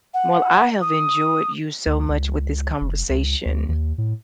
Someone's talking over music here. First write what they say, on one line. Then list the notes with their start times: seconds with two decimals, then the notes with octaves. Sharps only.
Well, I have enjoyed you so much with this conversation.
0.14 F#5
0.81 D#6
1.86 D2
2.09 C#2
2.81 F1
3.10 C#2
3.46 D2
3.69 D#2
3.98 A2